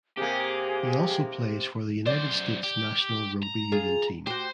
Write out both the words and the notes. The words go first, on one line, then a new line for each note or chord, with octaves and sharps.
He also plays for the United States national rugby union team.
C3 A#3 G4 G#4
F#2 C5 D5
G4
A#5
F4 G#4
F#4 G4 C5